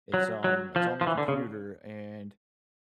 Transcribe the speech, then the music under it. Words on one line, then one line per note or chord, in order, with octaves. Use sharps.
It's, um, it's on the computer, and
F#3
F#3
F3
F3
E3
D3
C#3